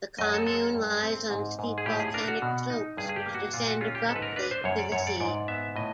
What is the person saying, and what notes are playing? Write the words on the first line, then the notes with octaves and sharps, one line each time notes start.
The commune lies on steep volcanic slopes which descend abruptly to the sea.
F#2 D#5
A4
G#3 A4
G2
C4
G#2
G#2
G#4
A2 G4
G#4
D4 A#4
F#4
B2
D#4
G2 G#4
G#4
G4
A#3
F#4
A#2 F4
F#4
C#4 F4
G4
G#2 A4
B4
A#4
D4 B4
C5
F#2 C#5
D5
F#2 C#5
D5
G#2 D5
B3 E5
A2 D#5